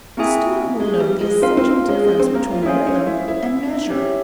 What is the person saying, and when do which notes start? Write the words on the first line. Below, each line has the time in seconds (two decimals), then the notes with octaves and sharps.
The student will note the essential difference between rhythm and measure.
0.17 A#3 C4 E4 G#4 E5 G#5
0.80 G#3
1.00 G3
1.21 G#3
1.42 C4 F4 A#4 F5
1.57 C4
1.89 G#3
2.04 G#3
2.20 C4
2.35 A#3
2.51 F4
2.62 E4
2.66 C#4 G#4 C5 F5 G#5
2.87 C#4
3.07 E4
3.28 E4
3.90 C#4 G4 C#5 E5